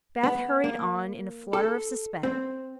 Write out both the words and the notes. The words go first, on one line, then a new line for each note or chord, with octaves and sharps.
Beth hurried on in a flutter of suspense.
B3
A#3
A4
C4